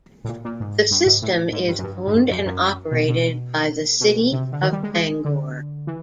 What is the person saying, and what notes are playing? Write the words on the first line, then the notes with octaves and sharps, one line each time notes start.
The system is owned and operated by the City of Bangor.
A2
A#2
A#2
G#2
G2
G#2
A2
G#2
G2
F#2
G2
G#2
G2
F#2
F#2
B2
B2
B2
C3
D3
D#3
G3
G#3
G#3
D3
E3